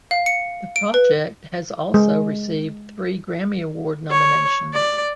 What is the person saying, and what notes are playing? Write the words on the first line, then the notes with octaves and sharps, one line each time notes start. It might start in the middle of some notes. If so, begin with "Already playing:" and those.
The project has also received three Grammy Award nominations.
F5
C#7
D7
B4
G#3
C#5
D5